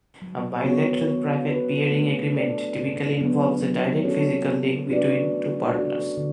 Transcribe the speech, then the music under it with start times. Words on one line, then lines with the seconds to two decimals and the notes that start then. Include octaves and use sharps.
A bilateral private peering agreement typically involves a direct physical link between two partners.
0.22 F#3
0.64 B3 F#4 C#5
1.06 B3
1.49 F#4 B4
1.91 A3
2.34 D4 A4 D5
2.76 C#3
3.18 F#3 B3 D4
3.61 F#3
4.04 C#4 F#4 A4 C#5
4.47 B3
4.89 D4 F#4 B4 D5
5.32 A3
5.74 D4 F#4 A4 D5
6.17 D3